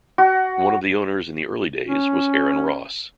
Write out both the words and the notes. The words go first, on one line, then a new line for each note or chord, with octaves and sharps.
One of the owners in the early days was Aaron Ross.
F#4
C#4